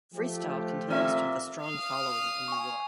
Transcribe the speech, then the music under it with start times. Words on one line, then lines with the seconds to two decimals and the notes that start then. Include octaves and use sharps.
Freestyle continues to have a strong following in New York.
0.14 F3 A3 G4
0.88 A#2 C4 E5
1.64 F5 D#6
2.48 G#5 C#6